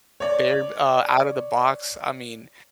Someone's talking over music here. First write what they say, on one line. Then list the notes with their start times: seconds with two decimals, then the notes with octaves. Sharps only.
B Bear, uh, Out of the Box. I mean,
0.20 C#5 D5